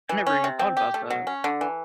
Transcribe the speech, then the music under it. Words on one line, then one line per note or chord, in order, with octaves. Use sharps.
I never even thought about that.
E3
C#4
C3
C4
G4
A3
F#3
C#4
D3
E3